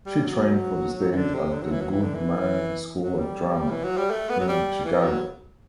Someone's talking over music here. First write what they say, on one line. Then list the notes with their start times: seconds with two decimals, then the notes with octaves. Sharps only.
She trained for the stage at the Goodman School of Drama, in Chicago.
0.06 G3
0.24 F#3
1.12 E3
1.16 D3
1.35 C3
1.53 D3
1.62 F#3
1.71 E3
1.81 F#3
1.90 E3
2.02 D3
2.14 E3
3.01 F#3
3.19 G3
3.70 E3
3.84 F#3
3.97 G3
4.10 A3
4.29 B3
4.40 F#3
4.48 G3
4.84 E3
5.03 F#3